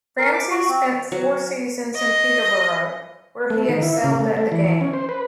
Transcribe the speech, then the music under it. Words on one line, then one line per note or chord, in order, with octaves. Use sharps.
Ramsay spent four seasons in Peterborough where he excelled at the game.
A#4
D6
F#4
C4
F#3
D#5
A3
D#3
E4
C#3
A3
A3
E3
E3
C#4
C5
B4